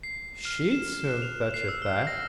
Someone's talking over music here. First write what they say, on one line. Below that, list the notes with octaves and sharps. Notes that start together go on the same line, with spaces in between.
'She'd soon fetch it back!'
C7
F6
E7
F#6
F7
C7
E6
F6
A#6